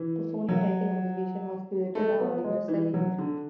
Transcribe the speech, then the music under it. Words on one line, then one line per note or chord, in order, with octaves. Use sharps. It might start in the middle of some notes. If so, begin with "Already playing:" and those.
The Sonia Rykiel Exhibition was curated by Olivier Saillard.
Already playing: E3
F#3
A3
B3
G#3
E3
F#3
D3